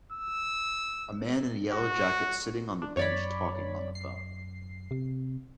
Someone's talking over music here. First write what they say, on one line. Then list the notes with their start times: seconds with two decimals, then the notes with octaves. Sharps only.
A man in a yellow jacket sitting on the bench talking on the phone.
0.12 E6
1.72 F#4
2.82 D4
2.97 F#2 C#5 D5 B5
3.95 C7
4.91 C3